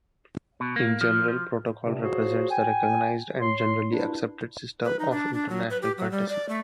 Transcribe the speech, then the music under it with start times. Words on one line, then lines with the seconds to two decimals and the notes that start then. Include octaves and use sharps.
In general, protocol represents the recognized and generally accepted system of international courtesy.
0.60 B2
0.76 A#3
1.01 F3
1.28 F3
1.85 G2 C3
2.02 F3 F#3 F#4 G#4 C5
2.51 G5 G#5
3.40 C#5 C6
3.91 G2 A#2 D4 E4
4.85 B4
4.99 D#4
5.11 D4
5.34 D4
5.49 F#3
5.70 B4
5.82 G4
5.98 F#3
6.11 G3
6.29 D5
6.49 A3